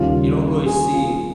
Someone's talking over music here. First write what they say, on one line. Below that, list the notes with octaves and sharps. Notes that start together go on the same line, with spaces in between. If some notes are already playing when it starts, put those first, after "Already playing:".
you don't really see
Already playing: D#2 C#3 G3 F4
G#4
F4